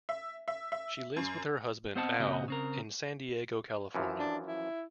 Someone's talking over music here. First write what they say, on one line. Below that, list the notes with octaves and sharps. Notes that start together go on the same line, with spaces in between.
She lives with her husband, Al, in San Diego, California.
E5
E5
E5
F#2
B3 C4 C5 D#5 F#5 A5
A#2 C#3 C4 F#4 D#5
C#3 C4 A#4
F#2 E3 F3
D4
E4